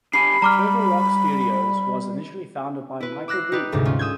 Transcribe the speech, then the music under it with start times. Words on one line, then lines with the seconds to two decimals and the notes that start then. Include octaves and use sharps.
Turtle Rock Studios was initially founded by Michael Booth.
0.13 D4 G4 G#5 B5 C7
0.42 G3 A#5 D6 F6
3.00 E4 B4
3.28 D6 E6 F#6 A#6 C7
3.52 D#4 G4 B4 D5
3.72 D2 G#2 C3
3.85 C#4 F4
3.99 D#6 E6 G6 G#6